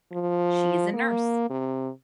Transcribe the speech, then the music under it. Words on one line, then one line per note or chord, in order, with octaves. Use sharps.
She is a nurse.
F3
A#3
C3